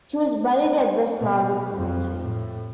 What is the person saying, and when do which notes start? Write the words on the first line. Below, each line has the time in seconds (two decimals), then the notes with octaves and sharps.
He was buried at West Norwood Cemetery.
1.18 B2
1.73 F2
2.18 A2